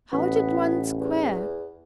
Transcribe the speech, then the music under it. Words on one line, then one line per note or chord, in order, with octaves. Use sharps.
How did one square?
A1 B3
E2